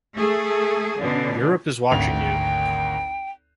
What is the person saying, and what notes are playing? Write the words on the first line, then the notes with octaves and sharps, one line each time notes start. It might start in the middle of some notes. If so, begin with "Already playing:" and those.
Europe is watching you.
A3 G#4 A4
B2 D3 C#4 D4
G#1 D2 G5 F7